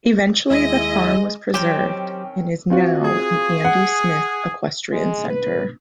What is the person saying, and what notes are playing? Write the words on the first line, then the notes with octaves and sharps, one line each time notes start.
Eventually the farm was preserved and is now the Andy Smith Equestrian Center.
D#2 G#3 E4 D#5 E5
D#3 F#3 C4 C#4 G4 C5 G5 D6
C4 F4 F#4
G#4
F#5
G#3
B4